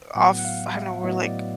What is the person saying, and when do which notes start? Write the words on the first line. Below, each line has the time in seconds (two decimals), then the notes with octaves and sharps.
off I don't know, were, like,
0.15 A2 F#3 B3 F#5
0.39 F#5
0.45 F5
0.74 E5
1.03 A2 F#3 B3 D#5
1.26 D5